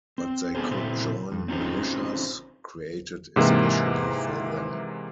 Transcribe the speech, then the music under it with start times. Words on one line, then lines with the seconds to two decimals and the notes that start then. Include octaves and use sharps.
But they could join militias created especially for them.
0.18 C4
0.55 B3 C4 D4 G#4 A4 C5
0.71 A#2 C#3 C4 E4 A4 C5
1.32 F2
1.48 C4 C#4 D#4 F4 G#4 C5
3.36 G#2 C3 E3 A#3